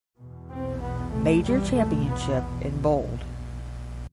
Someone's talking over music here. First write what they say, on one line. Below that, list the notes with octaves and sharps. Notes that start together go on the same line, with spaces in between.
Major championship in bold.
E2 B2
C4
B3
A3
G3
A3
B3